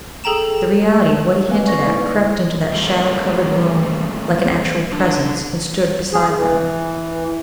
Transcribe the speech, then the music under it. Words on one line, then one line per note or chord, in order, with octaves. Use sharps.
The reality of what he hinted at crept into that shadow-covered room like an actual Presence and stood beside them.
G#4 A4 G5 A#5 E7
A#3 C4 B4 F5 G#5
D5 C#6 A#6
D#4 E4 B4 C5
G3 A3 A#3 C#4 F4 G#4
D3 D4
G#4
E3